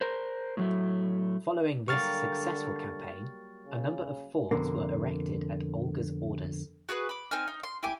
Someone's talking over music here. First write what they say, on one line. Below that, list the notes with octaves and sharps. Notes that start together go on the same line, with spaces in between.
Following this successful campaign, a number of forts were erected at Olga's orders.
A#4 C5
A2 F#3 A3
D3 F#3 G3 A#3 C#6 F6 A6
C#3
F2 B2 D3 A#3
F#4 G#4 A#4 B4
B5 D6
C4 D#4 G#5 F6
D#4
C6
E4 G4 G#5 D6